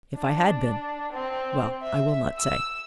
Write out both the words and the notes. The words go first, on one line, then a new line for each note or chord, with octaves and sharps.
If I had been--well, I will not say.
D4
C4
E5
E6